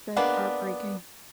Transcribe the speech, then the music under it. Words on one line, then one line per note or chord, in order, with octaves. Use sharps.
That's heartbreaking.
G#3 A#3 B3 D4